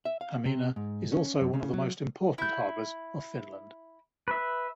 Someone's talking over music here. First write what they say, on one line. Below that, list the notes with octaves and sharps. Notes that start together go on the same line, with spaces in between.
Hamina is also one of the most important harbors of Finland.
E5
F5
C3
G#2
C#4
F#2
C#3
F#3
E4 G6
B4 E5